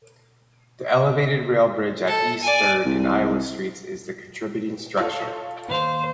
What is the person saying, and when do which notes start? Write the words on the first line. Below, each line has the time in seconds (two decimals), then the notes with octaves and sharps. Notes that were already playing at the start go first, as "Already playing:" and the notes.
The elevated rail bridge at East Third and Iowa Streets is the contributing structure.
2.07 A4
2.43 D5 G#5
2.85 C2
5.00 F4 A4 C#5
5.70 D#2 C5 F5